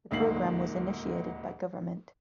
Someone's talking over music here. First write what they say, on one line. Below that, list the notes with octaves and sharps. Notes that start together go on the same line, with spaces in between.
The programme was initiated by govt.
D#1 D2 G#2 A#3 C7 F#7